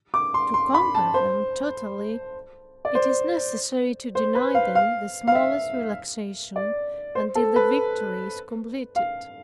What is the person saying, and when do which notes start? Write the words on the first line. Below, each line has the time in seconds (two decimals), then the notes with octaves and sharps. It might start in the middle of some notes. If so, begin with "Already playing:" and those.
To conquer them totally, it is necessary to deny them the smallest relaxation, until the victory is completed.
0.14 D6
0.34 C6
0.54 C6
0.74 B5
0.95 A5
1.14 C5
2.85 D5
2.95 C5
4.15 C5
4.35 B4
4.55 F5
4.75 F5
5.27 F5
5.35 E5
6.56 D5
7.15 C5
7.35 A4
7.56 B4
8.96 F5